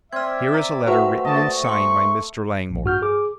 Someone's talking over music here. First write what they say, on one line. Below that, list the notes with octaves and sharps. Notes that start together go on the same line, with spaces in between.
Here is a letter written and signed by Mr. Langmore.
C4 D5 E5 F6 G#6
A#5
A3 F#4 B4 F#5
A3 D5 D#5 A5
C6 C#6 C#7
A#1
G2 F#4 F6 G6
G#4 D6